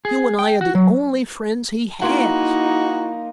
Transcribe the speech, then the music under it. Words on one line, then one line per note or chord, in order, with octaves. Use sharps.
You and I are the only friends he has.
G#4
G5
F#4
F#3
A#3 D#4 E4 F#4 C6